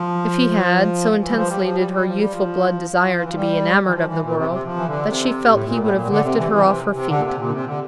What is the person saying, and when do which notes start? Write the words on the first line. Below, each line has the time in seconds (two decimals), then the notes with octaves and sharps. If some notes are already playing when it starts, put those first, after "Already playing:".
If he had, so intensely did her youthful blood desire to be enamoured of the world, that she felt he would have lifted her off her feet.
Already playing: F3
1.21 E3
1.29 G3
1.36 F3
1.49 G3
1.64 F3
1.78 G3
1.93 G3
2.07 F3
2.20 G3
2.31 F3
2.93 F3
3.22 E3
3.28 F3
3.35 G3
3.87 E3
3.93 F3
4.08 E3
4.22 A#2
4.36 C3
4.50 C3
4.65 F3
4.77 E3
4.87 D3
5.08 C3
5.52 A2
5.66 A#2
5.80 A2
5.95 A#2
6.09 D3
6.23 C3
6.37 E3
6.52 E3
6.66 C3
6.94 C3
7.09 D3
7.18 A#2
7.23 C3
7.38 A#2
7.46 D3
7.52 C3
7.67 D3